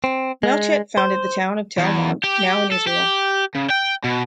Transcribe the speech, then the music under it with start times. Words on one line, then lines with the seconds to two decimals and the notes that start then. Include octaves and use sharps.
Melchett founded the town of Tel Mond, now in Israel.
0.04 C4
0.43 G#3
0.98 C5
1.78 E2
2.24 G4
2.72 A4
2.87 G4
3.55 C#3
3.70 G5
4.04 B2